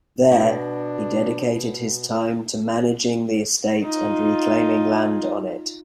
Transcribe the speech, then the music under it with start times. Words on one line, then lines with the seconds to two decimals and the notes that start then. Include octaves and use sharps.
There, he dedicated his time to managing the estate and reclaiming land on it.
0.31 B2 D4
3.84 D#4 F4